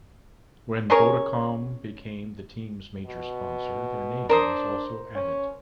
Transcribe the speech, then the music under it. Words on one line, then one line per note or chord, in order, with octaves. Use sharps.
When Vodacom became the team's major sponsor their name was also added.
C#4 G#4 A#4 C#5
B2
D4 A#4 C5 D#6
C#4